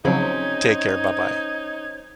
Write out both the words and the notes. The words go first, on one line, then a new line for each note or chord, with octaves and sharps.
Take care, bye-bye.
C#3 F3 F#3 C4 C#4 D#4 G#6